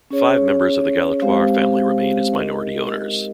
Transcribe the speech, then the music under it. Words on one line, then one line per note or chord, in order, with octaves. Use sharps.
Five members of the Galatoire family remain as minority owners.
C#4 G#4 C#5
G#3 C4 G4 C5 F5
G#3 D#4 G4 A#4 D#5